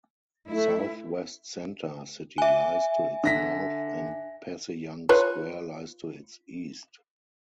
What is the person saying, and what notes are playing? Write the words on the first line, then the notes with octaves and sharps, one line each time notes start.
Southwest Center City lies to its north, and Passyunk Square lies to its east.
A3 E4
E5 G#5
D3 A#6 B6
F4 B4 C#5